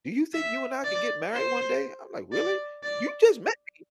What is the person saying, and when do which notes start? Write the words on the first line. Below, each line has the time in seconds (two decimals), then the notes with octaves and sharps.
"Do you think you and I can get married one day?" I'm like, "Really? You just met me.
0.34 E5
0.84 D5
1.34 C5
2.33 D5
2.83 D5